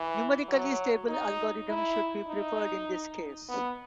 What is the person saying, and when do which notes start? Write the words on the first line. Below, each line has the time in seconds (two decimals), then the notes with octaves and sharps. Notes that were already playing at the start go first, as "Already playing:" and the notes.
Numerically stable algorithms should be preferred in this case.
Already playing: E3
0.48 F#3
1.09 D#4
1.69 E4
2.28 D#4
3.49 B3